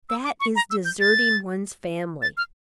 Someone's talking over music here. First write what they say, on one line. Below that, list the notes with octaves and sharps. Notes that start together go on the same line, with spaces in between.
That is deserting one's family.
E6
D6
C#6
A#5
E6
G6
A6
A6
F6